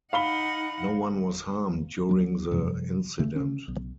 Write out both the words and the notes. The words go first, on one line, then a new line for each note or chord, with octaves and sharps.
No one was harmed during the incident.
D#4 F5 F#5 B5 G7
D#2 F#3 D4
F#2 C3 F3 G3
D2 C#3 A3
C#3 C#4
B1